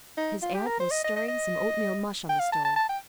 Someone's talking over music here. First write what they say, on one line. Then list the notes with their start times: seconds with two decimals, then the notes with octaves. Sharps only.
His aunt was stirring some oatmeal mush on the stove.
0.17 D#4
0.42 F4
0.55 G4
0.66 A#4
0.80 C5
0.91 D#5
1.04 D#5
1.16 D#5
1.28 D#5
2.29 G5
2.40 F5
2.52 A5
2.65 A5
2.76 A5
2.89 G5